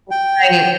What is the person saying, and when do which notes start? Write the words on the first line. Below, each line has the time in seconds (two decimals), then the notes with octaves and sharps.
R right.
0.11 G5